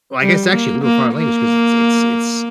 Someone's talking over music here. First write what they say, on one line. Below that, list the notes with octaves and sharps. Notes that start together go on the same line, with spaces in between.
well, I guess actually a literal foreign language 'cause it's it's it's
G3
A#3
A#3
A#3